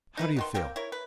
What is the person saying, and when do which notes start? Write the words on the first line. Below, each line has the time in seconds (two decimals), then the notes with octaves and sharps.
"How do you feel?"
0.17 D#4 E4 B4
0.36 B2 D#3 C6
0.54 A#3 C4 A#4 G5
0.76 E4 A#4 C#5
0.92 B4